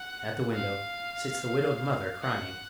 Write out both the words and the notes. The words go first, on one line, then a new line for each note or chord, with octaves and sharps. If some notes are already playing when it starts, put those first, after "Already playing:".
At the window sits the widowed mother crying.
Already playing: F#5
F5
F#5